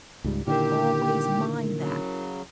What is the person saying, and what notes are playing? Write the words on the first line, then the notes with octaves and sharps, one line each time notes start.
Always mind that.
C#2 G#2 G3
A#2 D3 D#3 E4 G4 A#4
C#3 F#3